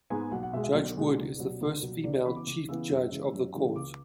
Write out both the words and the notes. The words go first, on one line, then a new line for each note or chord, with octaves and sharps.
Judge Wood is the first female chief judge of the court.
G#2 G#3 B3 G#5
B1 F#5
F#5
B2 G#3 E5
E5
B1 D5
B2 G#3
C#2
B2 F#3
C#2
B2 F#3
C#2 D5
D5
C#3 E3 B3 B5
D6
C#2 D6
C#3 E3 B3 E6
F#2
C#3 E3 G#3
F#2
C#3 E3 G#3
C#2 D6